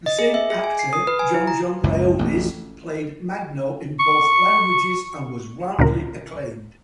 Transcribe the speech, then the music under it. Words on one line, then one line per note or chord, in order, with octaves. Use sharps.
The same actor, JonJon Briones, played Magno in both languages and was roundly acclaimed.
D#5
G#4
E5
G#4
G#5
C7
D#6
B4
G#5
E4
A#5
F#1 C#2 F#2 B2
A1 F2 A2
C#6
D2 A#2 C#3 A#4